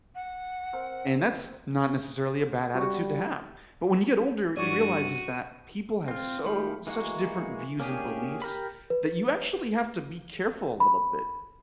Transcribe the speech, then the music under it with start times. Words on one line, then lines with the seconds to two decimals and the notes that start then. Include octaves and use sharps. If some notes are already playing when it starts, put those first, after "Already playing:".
And that's not necessarily a bad attitude to have. But when you get older, you realize is that people have so such different views and beliefs, that you actually have to be careful a little bit,
0.15 F#5
0.73 C4 A#4
2.75 G3 F#4
4.57 G2 F#4 C#5 D5 D#7
6.08 C4 F4
6.45 D#3 A3 F4 G4 B5
6.87 E3 G#3 A#3 F#4
7.80 A#3 C#4 D4 G4 G#4
8.42 G4 A#4 B5
8.90 B4
10.80 B5